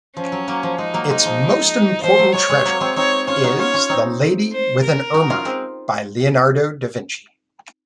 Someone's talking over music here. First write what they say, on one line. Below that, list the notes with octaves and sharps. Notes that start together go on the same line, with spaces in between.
Its most important treasure is "The Lady with an Ermine" by Leonardo da Vinci.
F3 C#4
F#3
F#3 A#3
F3
G#3 D#4
F#3 A#3
G#3 D#4
F3
F3 C5
F#3
G#3 C#5
G#3 C4
F#3 A#3
G#3 C4
C4 D#4 C#5
C#4 F4 C#5
D#4 F#4
C#4 F4 C#5
C#4 F4
C4 D#4
C5
A#4
D#4 F#4
C#4 F4
G#3 C4